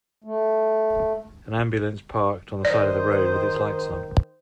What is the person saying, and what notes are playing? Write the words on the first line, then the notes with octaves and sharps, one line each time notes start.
An ambulance parked on the side of a road with its lights on.
A3
D#3 C5 D5 D#5